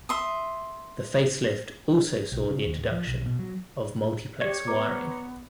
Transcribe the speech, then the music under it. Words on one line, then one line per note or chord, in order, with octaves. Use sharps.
The facelift also saw the introduction of multiplex wiring.
E5 C6 D#6
B1
C#3
D#2
D1
F3
B1
B2
F#3
G4 C#5 D5
B3 B4 A#5 D6